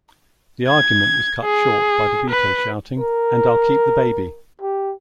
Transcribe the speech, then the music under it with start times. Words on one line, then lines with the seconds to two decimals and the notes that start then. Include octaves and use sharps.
The argument was cut short by DeVito shouting ...And I'll keep the baby!
0.68 G#6
1.44 G#4
2.30 B4
2.99 A#4
4.62 G4